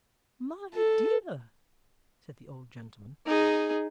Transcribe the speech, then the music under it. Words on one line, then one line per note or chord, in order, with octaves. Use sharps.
'My dear,' said the old gentleman.
A4
D#4 G#4